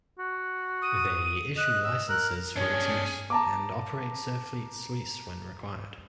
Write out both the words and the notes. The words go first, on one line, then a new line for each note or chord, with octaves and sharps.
They issue licences for its use, and operate Surfleet sluice when required.
F#4
D#6
D#5 F#6
E6
A#4 F#6
G2 C#4 D4 G#4 C#5
A5 A#5 D6